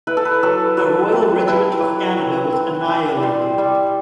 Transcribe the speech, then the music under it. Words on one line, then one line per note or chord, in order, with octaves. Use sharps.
The Royal Regiment of Canada was annihilated.
E4 B4
A4
B4
F#3 A4
F#3 B4
C4
E4 B4
F#3
F#3
C4
E4
D5
G3 C5
G3